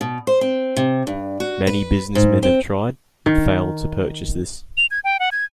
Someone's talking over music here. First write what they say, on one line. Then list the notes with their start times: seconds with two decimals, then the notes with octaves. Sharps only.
Many businessmen have tried, but failed to purchase this.
0.01 B2
0.27 C5
0.41 C4
0.76 C3
1.07 G2
1.40 F#4
1.67 B4
2.15 G#2
2.43 C4
3.26 D#3
4.77 F7
4.91 G#6
5.04 G5
5.19 F#5
5.32 G#6